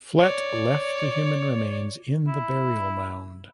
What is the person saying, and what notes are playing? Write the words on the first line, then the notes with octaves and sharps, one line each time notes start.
Flett left the human remains in the burial mound.
C#5 D5
E4